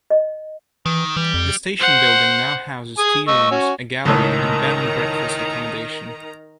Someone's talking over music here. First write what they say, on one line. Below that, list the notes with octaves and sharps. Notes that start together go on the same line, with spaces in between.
The station building now houses tea-rooms, a gallery and bed and breakfast accommodation.
D#5
D#3 E3
E3 G3
F2
C5 F#5
G#4 G#5 D#6
D#5 C#6 E6
C#4 F#4
C#2 A2 D#3 A#5